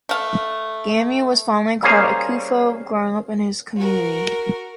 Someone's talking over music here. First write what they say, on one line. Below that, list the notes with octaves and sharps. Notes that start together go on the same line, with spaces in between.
Gamey was fondly called Akufo growing up in his community.
A3 F5
G3 A#3 C#4 G#4 C5 F5
F#4 A#4